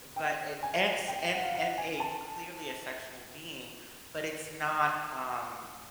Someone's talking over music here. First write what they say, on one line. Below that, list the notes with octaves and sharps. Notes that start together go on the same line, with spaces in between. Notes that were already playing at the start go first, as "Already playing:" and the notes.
but and and s and and a clearly asexual being, but it's not, um
G5
G#5
G5
F#5
F5
F#5
G#5
A5